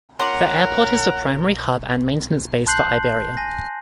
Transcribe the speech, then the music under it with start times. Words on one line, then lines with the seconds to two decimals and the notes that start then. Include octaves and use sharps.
The airport is the primary hub and maintenance base for Iberia.
0.19 C#4 F4 A#4 F#5 C6 D6
2.67 A5 C6 F#6 G6 C7 F#7
3.37 G#5 A#6